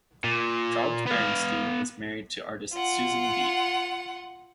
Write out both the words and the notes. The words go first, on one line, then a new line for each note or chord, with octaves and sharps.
Charles Bernstein is married to artist Susan Bee.
A#2
B3 F5
F4 F#5